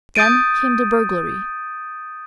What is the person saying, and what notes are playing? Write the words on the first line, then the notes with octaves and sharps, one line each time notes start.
Then came the burglary.
D#6 G6 A6 D7 D#7